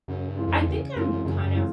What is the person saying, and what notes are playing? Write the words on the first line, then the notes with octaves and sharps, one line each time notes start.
I think I'm, kind of,
F#2 C#3
G2
E3 G#3 C4 F4
F2
E2 C#3
F#2 E3 G#3 C4 F4
F#2
F#2 C#3
F#2
E3 G#3 C4 F4